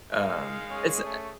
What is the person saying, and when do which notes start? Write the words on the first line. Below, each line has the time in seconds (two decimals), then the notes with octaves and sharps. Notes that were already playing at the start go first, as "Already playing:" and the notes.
um, it's, uh
0.12 D#3 G#3 F5
0.70 C#4 G#4
1.05 A3